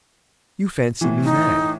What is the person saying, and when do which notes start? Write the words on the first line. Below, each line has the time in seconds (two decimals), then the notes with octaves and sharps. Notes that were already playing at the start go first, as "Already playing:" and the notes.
You fancy me mad.
1.01 A2 E3
1.24 D#4